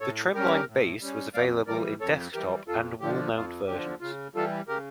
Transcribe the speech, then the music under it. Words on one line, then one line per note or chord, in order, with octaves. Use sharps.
The Trimline base was available in desk-top and wall-mount versions.
A2 A4 C#5
G3 C#4 G4 A#4
A2
G3 C#4
F2 D5 F5
E3 G3 A#4 D5
F2 A4 C#5
E3 G3 G4 A#4
F2 F4 A4
D3 F3 G4
F2 F4
D3 F3 G4
C#3 F4
E3 G3 F4 A4
C#3 G4 A#4